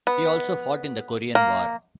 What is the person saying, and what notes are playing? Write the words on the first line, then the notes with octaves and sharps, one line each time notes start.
He also fought in the Korean War.
B3
A#3